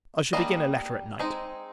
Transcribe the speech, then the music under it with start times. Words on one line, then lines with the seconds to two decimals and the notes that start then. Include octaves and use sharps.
I shall begin a letter at night.
0.33 G3 A#3 D4 D#5
1.19 G#3 C4 D#4